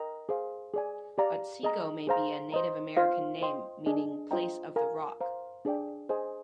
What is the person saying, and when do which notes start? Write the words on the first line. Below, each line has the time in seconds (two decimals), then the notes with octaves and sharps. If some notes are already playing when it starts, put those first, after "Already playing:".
Otsego may be a Native American name meaning "place of the rock".
Already playing: A#4 D#5 G5 A#5
0.29 G#4 C5 F5
0.74 G#4 D5 G#5
1.18 G4 D5 F5 A#5
1.63 G#4 D#5 A#5
2.07 G#4 C5 F5 A#5
2.52 C5 D#5 A#5
2.97 F4 C5 F5
3.41 C5 D#5 G5 C6
3.86 D4 G#4 D#5 G#5
4.31 F4 C5 D#5 G5 A#5
4.76 A#4 F5 G#5
5.21 C5 F5 A#5
5.65 D4 G#4 D5 G5
6.09 G#4 C5 D#5 G#5